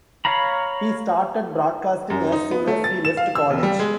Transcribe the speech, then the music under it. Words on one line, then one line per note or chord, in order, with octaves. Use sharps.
He started broadcasting as soon as he left college.
C#5 F5 A#5 B5
F#2
D#4
B3
A3
A6
E7
F5
E6
E1
G3
G#3